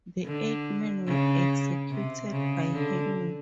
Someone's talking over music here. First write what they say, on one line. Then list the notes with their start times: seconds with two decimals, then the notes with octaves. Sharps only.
The eight men were executed by hanging.
0.25 D3
1.07 C#3
1.90 C3
2.32 C#3
2.73 D3